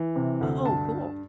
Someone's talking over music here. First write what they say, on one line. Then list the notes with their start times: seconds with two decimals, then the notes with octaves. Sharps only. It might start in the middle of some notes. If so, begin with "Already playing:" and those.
Oh, cool.
Already playing: E3
0.16 C3
0.41 D2
0.65 G2 A5